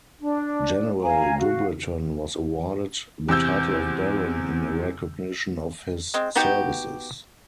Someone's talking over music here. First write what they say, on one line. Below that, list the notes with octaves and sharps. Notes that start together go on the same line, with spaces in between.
General Dubreton was awarded the title of baron in recognition of his services.
D4
F5 G#5 A#5
F#4 F5
E2 C3 E6 G6
G#3 C4
B3 D#4 F#4 G4